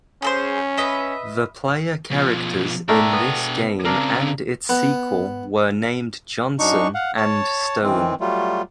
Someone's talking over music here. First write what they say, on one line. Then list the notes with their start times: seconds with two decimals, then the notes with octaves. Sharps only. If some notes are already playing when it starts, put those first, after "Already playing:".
The player characters in this game and its sequel were named Johnson and Stone.
0.22 C#4 G#4 A4 C5
0.77 B4 D#5 E5
2.11 B2 F3
2.88 B2 A3 D4 A#4 G5
3.13 B3
3.85 C#3 C4 D4 A#4
4.69 B3
6.59 F#2 D4 D#4 C#6
6.94 F5 F#5
7.17 C#5 A5
7.83 D#3 E3 C4
8.20 F#3 G3 A3 F4